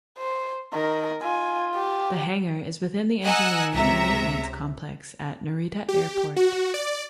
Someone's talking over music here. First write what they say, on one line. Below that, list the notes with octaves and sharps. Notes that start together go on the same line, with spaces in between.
The hangar is within the engineering and maintenance complex at Narita Airport.
C5
D#3 A#4
F4 G#5
G4
D#5 F#5 G#5 A#5 E6 F#6
C#2 C3 E5 A#5
G4
F#4
D5